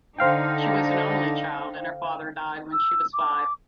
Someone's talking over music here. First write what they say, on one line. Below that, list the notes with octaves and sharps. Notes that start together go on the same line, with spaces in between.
She was an only child, and her father died when she was five.
D3 D#4 C5 F5 G5
E6
D6